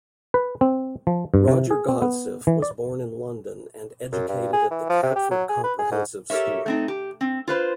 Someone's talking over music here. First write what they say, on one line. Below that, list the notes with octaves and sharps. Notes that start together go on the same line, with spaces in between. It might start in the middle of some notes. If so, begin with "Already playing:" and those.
Roger Godsiff was born in London and educated at the Catford Comprehensive School.
B4
C4
F3
G2
C3
G#4
C4
B3
E3
D5
F#2
G2
G#4
E3
F3
C3
G4
F#3
G#4
B4
G#4
G#2
G4 A4 A#4 C#5 E5
A3 C4 D#4
G4
C4
F4 B4 C5